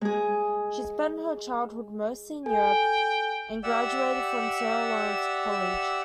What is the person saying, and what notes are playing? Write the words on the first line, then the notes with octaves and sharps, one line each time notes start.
She spent her childhood mostly in Europe and graduated from Sarah Lawrence College.
G#3 G#4
A4 G5 G#5
G4 D5 E5 F#5 E6